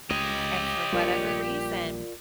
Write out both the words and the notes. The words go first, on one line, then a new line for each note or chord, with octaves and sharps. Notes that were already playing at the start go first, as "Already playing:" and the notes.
and for whatever reason,
C#2 G4 C#5 D#5
A#1 G3 F4 A#4 D5